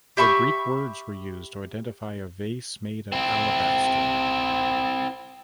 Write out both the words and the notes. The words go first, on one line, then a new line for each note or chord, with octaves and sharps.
The Greek words were used to identify a vase made of alabaster.
G4 E5 B5 C#6
C4 E4